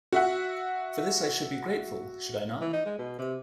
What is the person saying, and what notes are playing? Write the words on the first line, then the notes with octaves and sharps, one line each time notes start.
For this I should be grateful, should I not?
F#4 E5 F#5
E3
D#4
G#3
B2
C3